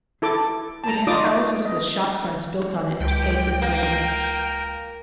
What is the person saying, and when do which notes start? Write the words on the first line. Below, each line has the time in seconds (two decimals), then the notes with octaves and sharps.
It had houses with shopfronts built on it to pay for its maintenance.
0.22 E4 A4 D6
0.84 A5 A#5
1.07 D#4 F4 D5 D6 D#6
1.65 D#5
3.00 C#2 G4 G5
3.62 A#3 A#4